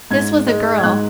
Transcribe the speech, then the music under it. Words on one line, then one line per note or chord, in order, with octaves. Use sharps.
This was a girl.
G#2 G#6
G#3
G#6
G#2 F#6